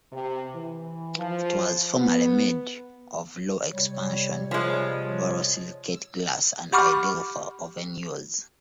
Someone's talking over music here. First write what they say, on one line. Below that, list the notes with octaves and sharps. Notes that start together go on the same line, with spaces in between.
It was formerly made of low expansion borosilicate glass and ideal for oven use.
C3
E3
F3
B3
C3 G3 C#5
F3 G#3
G4 F#5 B5 C#6 D6 F6